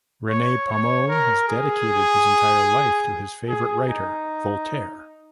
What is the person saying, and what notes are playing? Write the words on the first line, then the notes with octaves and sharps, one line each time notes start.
René Pomeau has dedicated his entire life to his favorite writer, Voltaire.
C#5
C#5
A#4
G#4
G#4
D#4